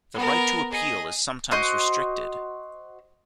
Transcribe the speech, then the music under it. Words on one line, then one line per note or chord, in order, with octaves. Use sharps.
The right to appeal is sometimes restricted.
B3 A#4
G#4 D#5
F#4 C5 D#5